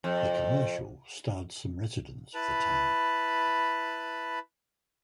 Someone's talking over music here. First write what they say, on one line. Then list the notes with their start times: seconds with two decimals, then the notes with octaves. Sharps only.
The commercial starred some residents of the town.
0.04 F2
2.34 E4 B4 A5 B5